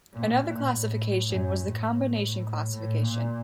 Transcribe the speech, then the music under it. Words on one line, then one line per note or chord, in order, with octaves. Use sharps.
Another classification was the combination classification.
A#2
A#2
A2
F#2
A2
A2
A#2